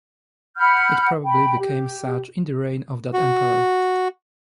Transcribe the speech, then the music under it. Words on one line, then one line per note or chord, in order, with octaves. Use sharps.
It probably became such in the reign of that emperor.
F#5 B5 F6 G6
G5 B5
G4
F#4